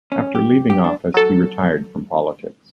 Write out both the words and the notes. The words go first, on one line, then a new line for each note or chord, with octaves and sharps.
After leaving office, he retired from politics.
C#4
G4
G4
D4
F#3 A4